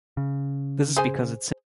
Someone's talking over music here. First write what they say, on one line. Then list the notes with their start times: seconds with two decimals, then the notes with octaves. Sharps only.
This is because it symbolizes good luck and prosperity.
0.17 C#3
0.97 G#4 C5 G#5